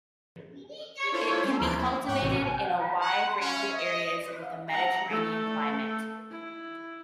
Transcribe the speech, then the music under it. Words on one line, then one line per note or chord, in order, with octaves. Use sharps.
It can be cultivated in a wide range of areas with a Mediterranean climate.
D4 E4 F4 A4 C5 C#5
G3 C#4 C5
D#2 C#3 E3 F3 C6 D7
A#3 E4
G#2 C#5 F#5 G5
A1 A2 C3 E3 F#4
F#5
C#4
D#5
F#5 A#5
A3 A4
E4